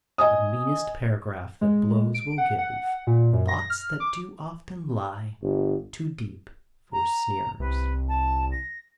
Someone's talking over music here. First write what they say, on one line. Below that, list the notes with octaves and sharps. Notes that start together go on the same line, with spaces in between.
The meanest paragraph that blows will give Thoughts that do often lie too deep for sneers.
D#5 G#5 D#6
G#3
D7
F#5
F#5
A#2
F#2
A#6
F6
D6
G1
A#5
C2 B4
A5
A#6